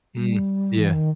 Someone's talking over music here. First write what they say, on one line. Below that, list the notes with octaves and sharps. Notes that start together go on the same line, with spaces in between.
Mm, yeah.
G3
E3
D#3